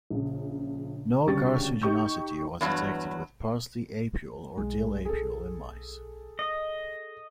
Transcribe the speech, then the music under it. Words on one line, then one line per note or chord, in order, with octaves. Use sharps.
No carcinogenicity was detected with parsley apiol or dill apiol in mice.
A#1 C#3
D2 C#3 G3 G4 C#6 A6
D#4 G4 C#6 G6
E2 G2 F#3
B1 G#3
G#4 A4
D#5